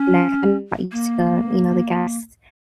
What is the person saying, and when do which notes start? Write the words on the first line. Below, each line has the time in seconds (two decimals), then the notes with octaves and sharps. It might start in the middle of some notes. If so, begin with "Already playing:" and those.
night, kinda got used to the you know, the guests,
Already playing: C#4
0.92 A#3